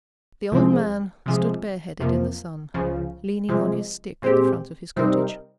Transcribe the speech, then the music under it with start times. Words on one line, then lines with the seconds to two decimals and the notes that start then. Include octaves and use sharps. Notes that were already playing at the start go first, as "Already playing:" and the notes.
The old man stood bareheaded in the sun, leaning on his stick at the front of his cottage.
0.52 C2 C3 F3 G#3 C4
1.26 C3 F3 G#3
2.00 F2 C3 F3 A#3
2.74 C#2 C#3 F3
3.49 C3 F3 G#3
4.22 A#2 G#3 C4 G4
4.96 C3 G3 C4 D#4 A#4